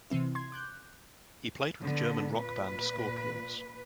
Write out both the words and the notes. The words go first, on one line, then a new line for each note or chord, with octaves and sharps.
He played with the German rock band Scorpions.
C3 E3 C4 E4
C6 G#6
D6 F#6 G6
D3 B3
A#2 B4